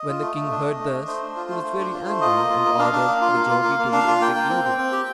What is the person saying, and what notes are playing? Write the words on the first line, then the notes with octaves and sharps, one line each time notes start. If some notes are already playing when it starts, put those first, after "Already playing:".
When the king heard this he was very angry, and ordered the jogi to be executed.
Already playing: D#5
F4
A3
A3
D4
A3
A3
D4
A3 C5
D4
F4
A3
A3
D4
F4
A3
F4 D#5
A#3
F4
A#3
D4 F5
D4
A#3
F4
A#3
F4
A#3
A#3
D4 F5
F4
A#3 G5
A#3
C4
C4
C4
G4